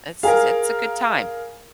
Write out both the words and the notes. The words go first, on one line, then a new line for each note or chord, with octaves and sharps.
it's a it's a good time.
G#4 A#4 F5 G#5 A#5